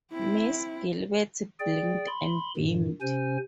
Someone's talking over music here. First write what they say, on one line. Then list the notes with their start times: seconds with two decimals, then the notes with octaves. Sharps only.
Mrs. Gilbert blinked and beamed.
0.12 C4 E4
1.59 G#4 D5 G5
2.07 B5 C6
2.57 G2 A#2 D#3
3.01 C3 C#4 C5 G#5